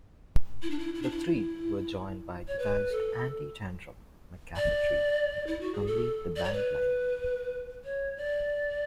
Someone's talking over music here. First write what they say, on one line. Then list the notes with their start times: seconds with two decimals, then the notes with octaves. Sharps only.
The three were joined by guitarist Andy 'Tantrum' McCafferty to complete the band line-up.
0.62 E4
0.70 D4
0.79 E4
0.95 E4
1.02 D4
1.11 E4
2.48 C#5
2.59 B4
2.92 A4
4.56 D5
5.47 E4
5.61 F#4
5.74 G#4
5.87 A4
6.36 D5
6.44 C#5
6.53 B4
7.84 C#5
8.17 D5